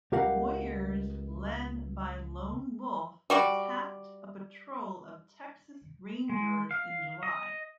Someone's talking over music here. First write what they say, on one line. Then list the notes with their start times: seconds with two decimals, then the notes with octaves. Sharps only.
Warriors led by Lone Wolf attacked a patrol of Texas Rangers in July.
0.12 C#2 G4 A#4 F5 F#5
3.30 G3 F#4 D5
6.29 G#3
6.71 F5
7.23 D#5